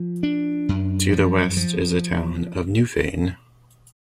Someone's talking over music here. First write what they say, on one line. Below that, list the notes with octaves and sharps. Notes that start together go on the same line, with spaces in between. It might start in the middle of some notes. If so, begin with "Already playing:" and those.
To the west is the Town of Newfane.
Already playing: F3
D4
F#2
F3
F3